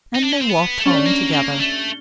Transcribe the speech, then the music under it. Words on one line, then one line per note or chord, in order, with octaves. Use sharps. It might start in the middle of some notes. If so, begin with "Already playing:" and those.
And they walked home together.
D#4
D4
C#4
C4
B3
A3
C#4
D4
A#3
A#3
A3